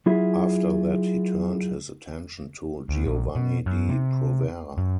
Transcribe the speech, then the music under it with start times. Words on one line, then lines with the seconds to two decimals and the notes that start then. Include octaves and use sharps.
After that he turned his attention to Giovanni di Provera.
0.06 F#3 E4 F4 G#4 E5
2.89 D2
3.06 A#1
3.36 B2
3.66 F#2
3.90 C3
4.78 F#2